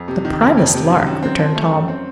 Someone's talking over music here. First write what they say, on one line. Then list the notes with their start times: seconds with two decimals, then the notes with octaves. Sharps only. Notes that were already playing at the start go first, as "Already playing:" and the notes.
"The primest lark," returned Tom.
Already playing: F2
0.08 C3
0.25 D#3
0.41 F2
0.57 F2
0.74 C3
0.90 D#3
1.07 F#2
1.23 C4
1.39 F3
1.55 A3
1.72 F#2
1.88 C4